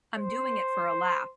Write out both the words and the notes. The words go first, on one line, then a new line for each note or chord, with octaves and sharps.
I'm doing it for a laugh.
C5